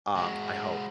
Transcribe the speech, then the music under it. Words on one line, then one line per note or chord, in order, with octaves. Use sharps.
um, I hope,
G#3 F#4